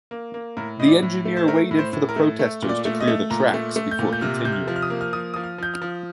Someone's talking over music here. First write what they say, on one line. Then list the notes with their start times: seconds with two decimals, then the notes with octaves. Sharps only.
The engineer waited for the protesters to clear the tracks before continuing.
0.11 A#3
0.34 A#3
0.57 A2 A#4
0.79 A2 D#5
0.87 D5
1.02 A2
1.25 A3
1.37 C5
1.48 A3 A#4
1.71 A2
1.79 C5
1.93 A2
2.09 A#4
2.16 A3
2.39 A3
2.62 A#2
2.69 D5
2.85 A3
3.00 D#5
3.07 A3
3.30 A#2 A#5
3.54 A3
3.76 A3
3.91 G6
3.99 A#2
4.13 G6
4.21 C3 F6
4.45 C3 G6
4.52 F6
4.68 F3
4.76 F6
4.82 D#6
4.90 A#3
5.01 F6
5.13 F3 D#6
5.34 F3 D#6
5.44 F6
5.58 F3 G6
5.74 F6
5.82 F3